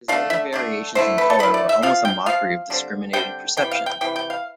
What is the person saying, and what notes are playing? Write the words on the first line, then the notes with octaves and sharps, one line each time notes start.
His later variations in color were almost a mockery of discriminating perception.
D3 A3 D4 F5
E5
D3 A3 D4
D3 A3 E4 C5
B4
A4
D3 A3 E4 B4
D5
E5
F3 C4 F4 F5
G5
F3 C4 F4 F5
D3 G3 C4
D3 G3 C4 G5
C3 E3 B3 G5
F5
G5
C3 E3 G5
G5
F5